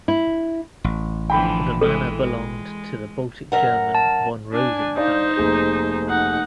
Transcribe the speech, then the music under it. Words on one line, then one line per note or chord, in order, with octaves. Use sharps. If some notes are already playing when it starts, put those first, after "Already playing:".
The manor belonged to the Baltic German von Rosen family.
E4
A1
D3 E3 F3 G5 B5
E3 G#3 A4
G#3
F#2 A#4 F#5
A5
D4 G#5
D#4 C5 D5 F5
F1 A#3 G#4
D#4 F#5